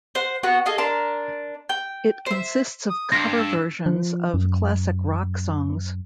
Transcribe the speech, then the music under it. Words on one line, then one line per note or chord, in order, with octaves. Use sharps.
It consists of cover versions of classic rock songs.
C5 F#5
B3 F#4 C#6 F#6
G#4 A4 D#5 F5
D4 A#4 A5 C6
G5
C5 E5
D#6
G2 C6 A#6
E6
F3
F#2